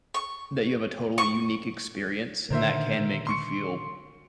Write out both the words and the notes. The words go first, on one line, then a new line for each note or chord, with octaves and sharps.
that you have a totally unique experience and that can make you feel
C#6
C#6
A#2 D3 D#3 A#4 C5 E5
C6 C#6 C#7